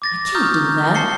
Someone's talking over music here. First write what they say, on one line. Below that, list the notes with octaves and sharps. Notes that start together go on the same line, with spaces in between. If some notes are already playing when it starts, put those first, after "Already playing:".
"I can't do that."
D6 A6 A#6
A#5 C#6 D#6 F6 G6
A5 C7 C#7 G7